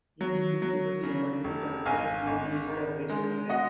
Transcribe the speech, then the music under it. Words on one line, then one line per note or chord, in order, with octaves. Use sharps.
In Hindu philosophy, according to tantra, yoni is the origin of life.
F#3
F#3
C#3
F1
G#1 F5 G#5
G#1
D#3
G#3
D#5 F#5